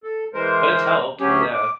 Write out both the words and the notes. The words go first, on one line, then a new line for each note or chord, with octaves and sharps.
But it's helped, yeah.
A4
E3 G#3 A#4 C5
D2 F#3 C#4 G4 G#4
D6